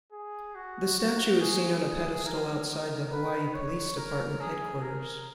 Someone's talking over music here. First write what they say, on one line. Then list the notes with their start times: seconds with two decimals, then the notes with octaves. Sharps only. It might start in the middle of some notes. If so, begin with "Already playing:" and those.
The statue is seen on a pedestal outside the Hawaii Police Department Headquarters.
0.13 G#4
0.55 F#4
0.98 F#4
1.41 G#4
2.26 A#4
3.12 B4
3.55 C#5
3.98 A#4
4.41 G#4
4.83 A#4